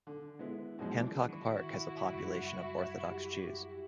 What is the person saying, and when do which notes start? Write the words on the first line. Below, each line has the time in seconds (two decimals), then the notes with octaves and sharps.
Hancock Park has a population of Orthodox Jews.
0.07 D3
0.39 G#3 B3 E4
0.79 F#2 B2 F3 F#3 G#3
0.96 E3 D4
1.28 D#3 E4 F#4
2.12 F#2 C#3 G3
3.08 G4